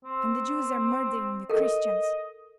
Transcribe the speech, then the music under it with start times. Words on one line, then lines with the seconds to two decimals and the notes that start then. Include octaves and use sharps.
'And the Jews are murdering the Christians.'
0.05 C4
1.50 A4 A#4 D#5